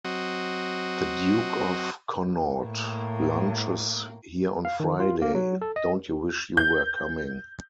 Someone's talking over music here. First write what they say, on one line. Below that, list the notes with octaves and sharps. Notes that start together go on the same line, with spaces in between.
The Duke of Connaught lunches here on Friday: don't you wish you were coming!
F#3 C4 F#4 D#5
A2 A#3
F5
D#3
F4
A#3
F#3
A4
D#5
G6